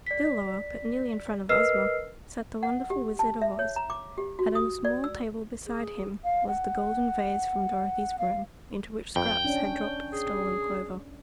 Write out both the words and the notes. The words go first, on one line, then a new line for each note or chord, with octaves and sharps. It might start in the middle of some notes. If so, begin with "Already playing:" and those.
Still lower, but nearly in front of Ozma, sat the wonderful Wizard of Oz and on a small table beside him was the golden vase from Dorothy's room, into which Scraps had dropped the stolen clover.
D5 B6
A#4 B4 D#5 E6 F6 C7
F#5
G4
A5
E5
C#5
A#5
D6
G4
F#4
D#6
D5
E6
G#4
F5
F#5
F5
F2 G5
C#4 D4
G#4